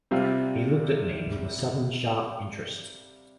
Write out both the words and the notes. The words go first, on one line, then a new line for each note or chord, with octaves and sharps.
He looked at me with a sudden sharp interest.
C3 G3 C4 F4